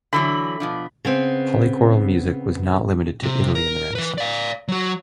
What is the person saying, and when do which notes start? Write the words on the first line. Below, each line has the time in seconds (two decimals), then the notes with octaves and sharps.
Polychoral music was not limited to Italy in the Renaissance.
0.13 D3 E3 F#3 B5
0.60 B2 F3 D4
1.05 C#3 B3 C4
3.23 C3
3.55 A#4
3.95 E3 B4
4.18 D5 F5
4.68 F#3 F#4